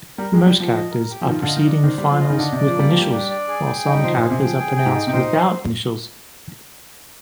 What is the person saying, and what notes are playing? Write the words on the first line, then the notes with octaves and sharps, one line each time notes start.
Most characters are preceding finals with initials while some characters are pronounced without initials.
G3 A#4
G#3
G4
G3
F3 G4
D#5
A#4
G4
F3
D#3 F4
D3
D#5
D#3
D4
D#3 C5
G3
F4
F3
D#5
D#3
D3 D4
C3
D5
F3
G3 A#3
F3
G3 G4
D4
D5
G#4
G5
D#4
G3
F3 C5
A#2
G#4
C3
F3 G5
G#4
G5
G#2
D#4
C3
A#2 C5